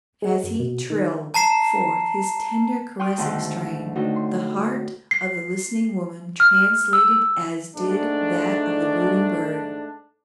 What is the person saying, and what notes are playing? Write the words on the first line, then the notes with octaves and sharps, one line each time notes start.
As he trilled forth his tender caressing strain, the heart of the listening woman translated as did that of the brooding bird.
G#3
F#2
B2
D#3
A5 A#5 C7 E7
G5 C6 C#6 D#6 F6 F#6
D2 G#2 B2 D#3 F#5 C6
A2 D3 D#4 F#4
C6
C7
F6
E6
G#2 A3 D4